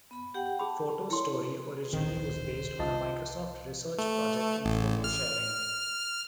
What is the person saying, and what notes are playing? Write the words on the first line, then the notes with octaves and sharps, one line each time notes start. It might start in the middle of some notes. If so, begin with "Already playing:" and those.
Photo Story originally was based on a Microsoft Research project in photo sharing.
B3 B5
G4 F#5 G5
G#4 A5 B5
E4 C#5 C6
D1 A#1 D#3 C4 C5
C2 F4 D#5 A5
A3
A1
F6